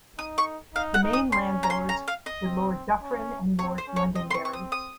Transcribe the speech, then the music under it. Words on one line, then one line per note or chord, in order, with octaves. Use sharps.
The main landlords were Lord Dufferin and Lord Londonderry.
D#4 D#6
C#6
D#4 F5
F#5
D#4
D#6
C#4 C6
A#5
C6
A#5
F5
D#5
C4
C#4
C4 C#5
C5
C#4
C#5
C4 D#5
C6
C#6
C#6
D#6
D#6